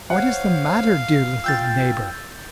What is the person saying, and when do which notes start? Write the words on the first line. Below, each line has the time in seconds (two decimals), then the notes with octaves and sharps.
"What is the matter, dear little neighbor?"
0.10 C5 C#5 F5 F#5
1.44 F4 G5 E6 G6 A6